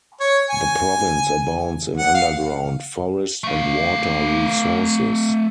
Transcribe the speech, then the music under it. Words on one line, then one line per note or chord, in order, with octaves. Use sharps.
The province abounds in underground, forest and water resources.
C#5
G#5
F#5
F5
A3 F5